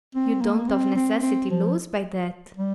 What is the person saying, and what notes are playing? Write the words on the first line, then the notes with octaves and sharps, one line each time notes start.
"You don't of necessity lose by that."
C4
A#3
C4
C4
C4
F3
G3